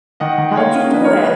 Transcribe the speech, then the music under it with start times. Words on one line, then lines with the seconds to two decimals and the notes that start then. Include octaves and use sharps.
How'd you do it?
0.20 D#3 D#5 F#5
0.38 D#3
0.56 A#3 C#5 F5
0.75 C#4
0.93 F3 B4 D#5
1.04 A#4 C#5
1.11 G#3
1.17 B4 D#5